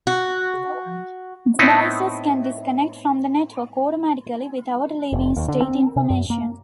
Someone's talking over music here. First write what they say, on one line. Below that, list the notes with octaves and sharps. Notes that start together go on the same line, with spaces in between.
Devices can disconnect from the network automatically without leaving state information.
F#4
A2 B3 C4 D#4 E4
F1
D#2
D3
C4
C3
F#2
A#3